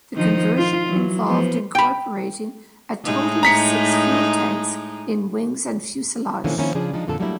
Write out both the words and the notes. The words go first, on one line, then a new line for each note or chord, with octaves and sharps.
The conversion involved incorporating a total of six fuel tanks in wings and fuselage.
D#3 F3 D#4
F4
E3 F#3
F3 B3
G5 B5
A2 G#3 D#4
A#5 B6 C#7
B2 D3 E3 F3 A#3 C#4
D#3 F3 A#3 C4 C#4 E4
C#3 F3 D4 G#4 D5
F3 G#3 D4 D#4
F2 A#2 D3 F4 A4
F#3 G3 A3 A#3 D4 E4